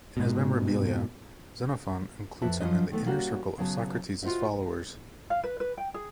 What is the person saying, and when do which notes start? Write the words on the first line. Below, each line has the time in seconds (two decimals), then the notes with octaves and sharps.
In his "Memorabilia", Xenophon includes him in the inner circle of Socrates' followers.
0.17 G#2 B2
2.42 F2 B4 E5 A5
2.60 F#2 F3 F#3 C#4 D#5
2.92 D#3 A3 B3
3.06 G3 A#3 C#4 F#4 G4
3.58 C#3 F#3 B3 A5
4.23 F4 F#4 A#4 C5 D#5 E5
5.30 F5
5.44 B4
5.60 B4
5.77 G5
5.94 G#4